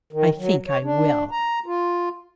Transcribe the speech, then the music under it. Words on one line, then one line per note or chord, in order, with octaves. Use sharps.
I think I will.
D#3
F#3
C#5
D4
A#5
F4